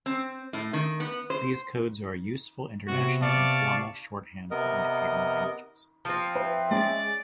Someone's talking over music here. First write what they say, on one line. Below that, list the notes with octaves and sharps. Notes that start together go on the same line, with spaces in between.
These codes are a useful international and formal, shorthand for indicating languages.
C4
A2
D#3
B3
C5
C3 B3 F#4
D5 F5 A5 C#6
C3 B3 A#4 D#5
F3 C4
B4 E5
G#3 C#4 D5